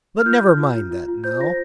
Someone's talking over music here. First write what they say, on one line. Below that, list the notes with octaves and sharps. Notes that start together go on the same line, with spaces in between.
But never mind that now.
F6
F4 G6
F4
F4
F4
F4
F4
C5 G6
F4 A#6